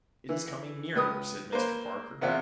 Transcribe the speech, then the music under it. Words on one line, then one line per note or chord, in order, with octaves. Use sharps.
"It is coming nearer," said Mr. Parker.
E3
C#2 B4 D#6
A#3 B4 C5
E2 C3 C4 F4 F#5